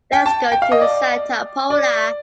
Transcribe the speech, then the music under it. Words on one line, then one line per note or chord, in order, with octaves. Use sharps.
Let’s go to Santa Pola.
G5
A5
G5
F5
D#5
D5
D5